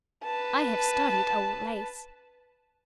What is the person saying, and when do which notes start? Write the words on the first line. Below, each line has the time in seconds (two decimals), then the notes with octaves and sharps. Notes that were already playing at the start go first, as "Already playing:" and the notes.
I have studied old lace.
0.25 B4 A5